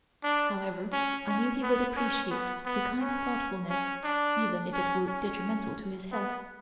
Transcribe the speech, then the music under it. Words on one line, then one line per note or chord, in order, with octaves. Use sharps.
However, I knew he would appreciate her kind thoughtfulness even if it were detrimental to his health.
D4
C#4
C#4
B3
C#4
B3
B3
C#4
C#4
D4
C#4
C#4
B3